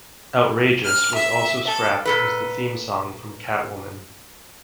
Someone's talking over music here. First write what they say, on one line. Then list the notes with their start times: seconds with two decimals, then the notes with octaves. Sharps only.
"Outrageous" was also scrapped as the theme song from "Catwoman".
0.83 F6
1.14 E5
1.66 A4
2.05 A#2 A4 B4